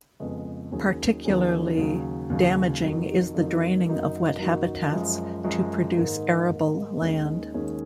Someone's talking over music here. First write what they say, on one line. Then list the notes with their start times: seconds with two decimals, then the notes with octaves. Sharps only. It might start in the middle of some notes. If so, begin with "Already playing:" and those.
Particularly damaging is the draining of wet habitats to produce arable land.
0.20 F2 C#3 G#3 B3
0.72 D#2 D#3 F#3 C#4 G#4
1.25 D#2 D#3 F#3 C#4 G#4
1.77 D#2 C#3 F#3
2.30 D#2 C#3 F#3
2.82 F2 D#3 F#3
3.35 F2 D#3 F#3
3.87 F#2 D#3 A#3 D#4 F#4
4.39 F#2 D#3 A#3 D#4 F#4
4.92 F#2 F3 G#3
5.44 F#2 F3 G#3
5.97 G#2 D#3 A#3
6.49 G#2 D#3 A#3
7.01 D#2 D#3 G#3 C#4 G#4
7.54 D#2 D#3 G#3 C#4 G#4